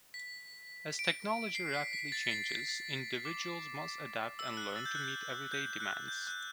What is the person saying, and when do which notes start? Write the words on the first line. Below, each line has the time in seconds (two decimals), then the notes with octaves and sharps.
As technology rapidly changes, individuals must adapt and learn to meet everyday demands.
0.14 B6
0.99 D7
1.55 C7
1.74 B6
1.93 B6
2.12 A6
2.31 C7
2.50 B6
2.68 A6
3.25 D6
4.39 E6
4.57 F#6
4.76 A6
4.86 G6
4.95 F#6
5.04 G6
5.52 G6
5.80 F#6
6.08 G6
6.27 F#6